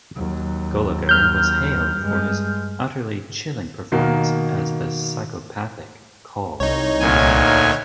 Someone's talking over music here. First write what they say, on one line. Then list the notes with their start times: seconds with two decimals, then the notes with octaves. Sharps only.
Gulager was hailed for his utterly chilling performance as the psychopathic Coll.
0.16 D#2 F#3
1.09 F6 G6
1.98 G2 G#3
3.92 B2 D#3 A#3
6.60 C2 D#4 C#5
7.00 D2 A#2 G#5